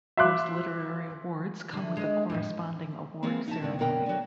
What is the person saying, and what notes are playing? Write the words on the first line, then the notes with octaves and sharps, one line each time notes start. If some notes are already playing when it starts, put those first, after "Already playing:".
Most literary awards come with a corresponding award ceremony.
E5 F5 C6 D6 F#6
D3 E3
G#3 D#5
F2 A2 F3
E3 F3 G#3 A#3 C4
D#4 E5 A5
G2 C3 D#3
F#2 B2 A#4 G5
D3 F#3